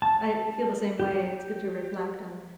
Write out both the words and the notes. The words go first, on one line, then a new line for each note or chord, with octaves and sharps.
I feel the same way, it's good to reflect on,
A5
G4